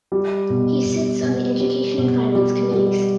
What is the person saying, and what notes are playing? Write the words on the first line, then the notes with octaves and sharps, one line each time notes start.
He sits on the Education and Finance committees.
G3
B2
B2
B2
G3
B2
G3
G3